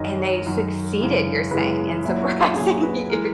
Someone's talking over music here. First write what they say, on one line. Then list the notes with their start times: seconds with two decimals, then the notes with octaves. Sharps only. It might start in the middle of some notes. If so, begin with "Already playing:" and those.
and they succeeded, you're saying in surprising you.
Already playing: F#2 D#3 F#3 D#5
0.19 C#5
0.46 F#2 D#3 F#3
0.99 F#2 C#3 E3 G#3
1.51 F#2 C#3 E3 G#3 B4
1.87 G#4
2.04 A#2 F#3 E4
2.22 F#4
2.40 G#4
2.56 A#2 F#3 G#4
2.83 B4
3.10 E3 G#3 A#4